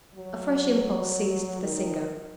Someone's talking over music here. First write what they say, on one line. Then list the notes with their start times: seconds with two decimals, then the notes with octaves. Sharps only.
A fresh impulse seized the singer.
0.15 F#3
1.62 D#3